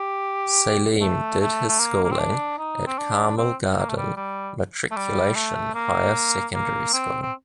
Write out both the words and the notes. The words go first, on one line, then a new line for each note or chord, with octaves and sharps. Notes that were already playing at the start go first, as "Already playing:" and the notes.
Saleem did his schooling at Carmel Garden Matriculation Higher Secondary School.
Already playing: G4
A3
A3
A3
A#3
A#3
C4
D4
D#4
C4
D4
C4
A#3
A3
G3
G3
A3
G3
A3
A#3
A#3
C4
C4